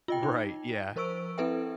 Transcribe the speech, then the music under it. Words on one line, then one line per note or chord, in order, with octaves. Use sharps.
Right, yeah,
F4 D#5 G5
D#4 G5
F3 A#4 C5 C#6 E6 D7
C4 E4 A4 B4 E5 G5